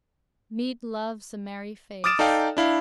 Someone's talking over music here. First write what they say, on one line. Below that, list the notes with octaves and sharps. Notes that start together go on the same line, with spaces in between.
"Mead loves a merry face."
D6 D#6 F6 A6 D7 E7
D#4 A4 D5 F5 G5
D4 E4 F5